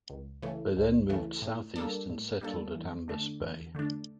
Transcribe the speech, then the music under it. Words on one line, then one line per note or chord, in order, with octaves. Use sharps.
They then moved southeast and settled at Ambas Bay.
C#2
C#3 E3 A3
C#2
C#3 E3 A3
A2
G3 A#3 D4 A4
A2
G3 A#3 D4 A4
E2
D3 A3 D4
E2
D3 A3 D4